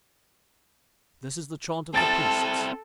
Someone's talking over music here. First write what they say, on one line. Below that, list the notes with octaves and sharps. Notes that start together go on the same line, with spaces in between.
This is the chaunt of the Priests.
C4 E4 A4 A5 A6 D7